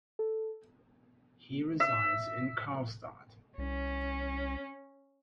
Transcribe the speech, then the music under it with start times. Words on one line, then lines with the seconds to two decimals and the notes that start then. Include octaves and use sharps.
He resides in Karlstad.
0.19 A4
1.80 E5
3.58 C2 C#4